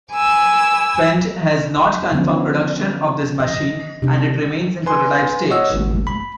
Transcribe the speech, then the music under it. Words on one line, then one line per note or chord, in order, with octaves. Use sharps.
Fendt has not confirmed production of this machine, and it remains in prototype stage.
G#5 B5 D6 E6
D3 F3 B3 C#4
D#5
C3 D4
B4 G#5 C6
C#5 D#5 F#5 E6
G#1
B5